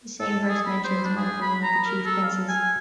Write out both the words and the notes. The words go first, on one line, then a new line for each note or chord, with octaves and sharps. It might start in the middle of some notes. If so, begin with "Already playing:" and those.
The same verse mentions "Michael, one of the chief princes".
A4
G#4
B5
C5
D4
G#4
B5
A#5
A#4
A4
F5
G#5